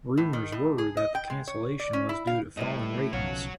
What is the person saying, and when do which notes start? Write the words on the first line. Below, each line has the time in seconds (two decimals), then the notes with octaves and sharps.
Rumours were that the cancellation was due to falling ratings.
0.17 A2
0.33 D#3
0.52 A2
0.78 G#4
0.97 D#5
1.15 G5
1.30 G#3
1.47 C#5
1.79 D5
1.93 C#4
2.09 E4
2.27 F5
2.57 A2 G3 B3 D#5
3.13 B1 C#3 F3 C#4 C#5 F#5